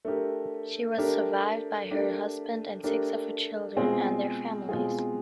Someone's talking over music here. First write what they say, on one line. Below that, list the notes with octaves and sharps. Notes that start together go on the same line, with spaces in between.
She was survived by her husband, and six of her children and their families.
A3 D4 G4 A#4
A3 D4 G4 A#4
A3 D4 G4 A#4
A3 D4 G4 A#4
B2 G#3 C4 F4 G#4
B2 G#3 C4 F4 G#4